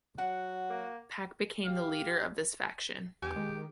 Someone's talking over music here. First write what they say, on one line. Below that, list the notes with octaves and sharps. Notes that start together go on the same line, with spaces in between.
Pak became the leader of this faction.
F#3 F#4 F#5
A#3
G4 F5
E2 G4 G#5
D#3 G#3